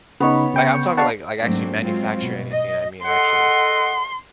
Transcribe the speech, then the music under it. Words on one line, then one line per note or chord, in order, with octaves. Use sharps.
like, I'm talking, like like, actually manufacture anything I mean actually,
C#3 B3 D#4 C#5 B5
C#3 G5 C#7
D4 F5 F#5 A5 B5 C#6
G#2 F#3 A3 A#3 C4 D4
F#3 G#3 C4 F4
B2
D#5
A4 D#5 F#5 C6